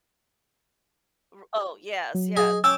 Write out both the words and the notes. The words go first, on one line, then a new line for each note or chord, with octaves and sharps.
R Oh, yes. Yes.
F#3
G#4 D#5
C#4 G5 D6 E6